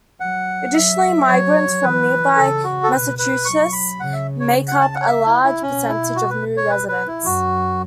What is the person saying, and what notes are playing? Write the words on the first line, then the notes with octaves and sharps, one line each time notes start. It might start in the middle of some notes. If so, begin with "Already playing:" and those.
Additionally, migrants from nearby Massachusetts make up a large percentage of new residents.
F#3 F#5
F#3 E5
F#3 C#5
E3 B4
C#3 A4
F#4
A4
B2 B4
B4
F#3 C#6
B5
C#3 F#5
E5
C#5
F#5
A5
F#5
C#5
E5
E4
E4
B2 C#4
E4
F#4
B4
C#5
B4
B4
E4
F#2 F#4